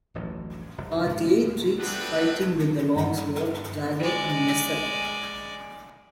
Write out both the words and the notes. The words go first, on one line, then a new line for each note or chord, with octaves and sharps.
Part A treats fighting with the longsword, dagger and messer.
D1 A1 F2 F#3
F1 C2
C2 G#2 C3 F3
A3 B3 C4 D4 B4
G2
G#3 D5